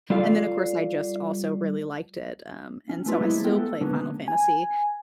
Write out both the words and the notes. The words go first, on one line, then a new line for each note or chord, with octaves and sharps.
And then of course, I just also really liked it, um, and so I still play Final Fantasy.
G3 F4 A4 D5 F5
C#4
A3 B3 F4 B4
G3 G#3 A#3 C4 E4 G#4
G#3 B3 F4 G4 A4 A#4
A4
D3 G#3 A#3 B3 C#4
G#5